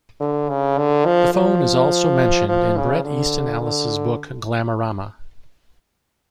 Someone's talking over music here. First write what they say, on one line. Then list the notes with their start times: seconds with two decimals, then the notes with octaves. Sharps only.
The phone is also mentioned in Bret Easton Ellis' book "Glamorama".
0.20 D3
0.50 C#3
0.78 D3
1.06 F3
1.35 F3
2.49 F3
2.77 C#3
3.05 D3
3.61 D3